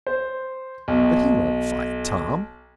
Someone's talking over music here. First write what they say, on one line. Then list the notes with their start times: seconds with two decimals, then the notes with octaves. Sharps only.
"But he won't fight, Tom."
0.07 C5
0.88 B1